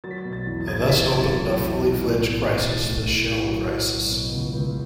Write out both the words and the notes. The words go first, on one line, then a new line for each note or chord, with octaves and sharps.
Thus opened a fully-fledged crisis, the Shell Crisis.
F#3 A6
B6
A6
B2
A6
E2
A6
E2 G#6
A6
E2 B6
A6
F#3 G#6
A6
F#3
E2
B1
A2
E3
E3
B1 A6
A2
A2
A2
F#3
F#3
F#3
B2
C#2
C#2